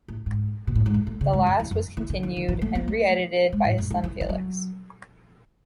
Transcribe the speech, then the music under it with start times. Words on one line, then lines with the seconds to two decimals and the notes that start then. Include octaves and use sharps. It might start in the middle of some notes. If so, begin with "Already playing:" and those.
The last was continued and re-edited by his son Felix.
0.08 A2
0.26 G#2
0.67 B2
0.75 A2
0.86 G#2
0.94 F#2
1.07 A2
1.21 C#3
1.33 G#2
1.47 F#2
1.59 E2
1.71 F#2
1.97 E3
2.10 D#3
2.23 D#3
2.36 D#3
2.48 E3
2.62 A3
2.75 B3
2.88 A3
3.53 G#3
3.65 A2
3.78 F#2
3.91 G#2
4.04 E3
4.21 E3
4.29 F#3